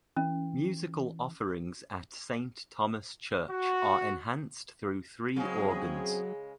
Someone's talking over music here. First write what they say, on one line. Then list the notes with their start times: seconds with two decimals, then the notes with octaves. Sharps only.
Musical offerings at Saint Thomas Church are enhanced through three organs.
0.17 E3 C#4
3.50 F#4
5.36 C#3 F#3 G#3 C4 C#4 G#4